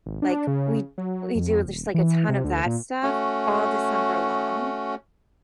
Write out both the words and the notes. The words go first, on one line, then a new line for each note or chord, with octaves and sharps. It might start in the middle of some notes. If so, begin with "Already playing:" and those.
like, we we do just, like, a ton of that stuff all December long.
G#1
D4
C#3
F#3
F2
D#1
E3
C3
D2
A#2
A3 C#4 F#4